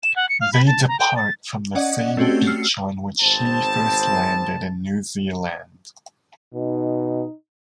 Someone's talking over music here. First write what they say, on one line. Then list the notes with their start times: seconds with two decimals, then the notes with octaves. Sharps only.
They depart from the same beach on which she first landed in New Zealand.
0.03 E7
0.16 F#5
0.29 C#7
0.41 F5
0.53 B5
0.67 A5
0.88 A#5
1.00 G5
1.16 A6
1.75 C#4 D5 D#5 F#5
2.17 A3 C4 C#4 F#4 G4
2.47 E6 F6 C7 C#7
3.21 G#1 B3 C4 C5 A5
6.55 B2 D#4